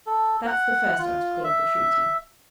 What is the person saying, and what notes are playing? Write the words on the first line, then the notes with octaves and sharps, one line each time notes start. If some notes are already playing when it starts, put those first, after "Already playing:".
That's the first article of the treaty.
A4
F#5
F4
E5